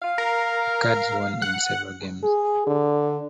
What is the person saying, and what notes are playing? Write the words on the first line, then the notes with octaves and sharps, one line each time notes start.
The Cards won in seven games.
F5
A#4
F#5
G#4
D3